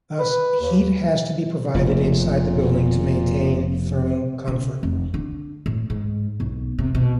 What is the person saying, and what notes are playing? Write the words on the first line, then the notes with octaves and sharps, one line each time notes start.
Thus heat has to be provided inside the building to maintain thermal comfort.
B4
D#2
F1 A#2
C#3
F1
D3
A2
G#2
B1
C3
B2